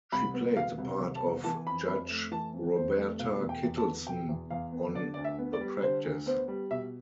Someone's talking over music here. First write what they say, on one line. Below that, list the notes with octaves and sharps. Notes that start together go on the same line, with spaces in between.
She played the part of Judge Roberta Kittleson on "The Practice".
C2 B5
B3
B2 F5
C2
C2
A5
B3
E3 A5
F2 B5
F2 B5
A3
E3 A5
F2
F2 C5
A3
B2 F5
E2
G5
E2
A5
B3
B2 G5
E2
E2 F5
B3
D3 D5
D2 D5
E5
B3
D5
G3
D3 C5
D2
B3 C5
G3
B2 E5